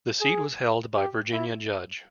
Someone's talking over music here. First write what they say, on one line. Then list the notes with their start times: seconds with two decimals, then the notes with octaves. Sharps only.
The seat was held by Virginia Judge.
0.21 G#4
0.96 G4
1.33 E4